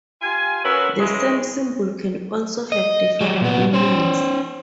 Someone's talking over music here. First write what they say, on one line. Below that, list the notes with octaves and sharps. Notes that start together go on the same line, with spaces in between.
The same symbol can also have different meanings.
F4 G4 G#5
F#3 C#4 A#4 B4 E5
C#3 E3 F#3 G#3
D#5
F#3 G3
A#2 B3
C#4 C5